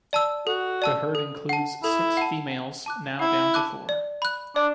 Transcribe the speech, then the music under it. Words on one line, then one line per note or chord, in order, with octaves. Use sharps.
The herd includes six females, now down to four.
D5 A5 E6
F#4 A4
D5 A5 E6
A4
F#5 A5
E4 A4
F#5 A5
F#5
A5 D6 F#6
E4 F#5
A5 D6 F#6
D5
B5 F#6
D4 D5